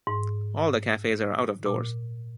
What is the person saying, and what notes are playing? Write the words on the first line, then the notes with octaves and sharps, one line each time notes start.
All the cafes are out of doors.
G#2
A#2